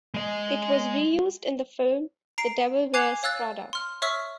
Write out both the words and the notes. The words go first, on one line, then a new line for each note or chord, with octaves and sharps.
It was re-used in the film "The Devil Wears Prada".
G#3 D#5
A#5 C7 D7
G#5 D6 F#6 G#6 C7 F7
C#5 F5 E6 F#6 A6
C6 F6
C#5 E5 C#6 E6 F6 B6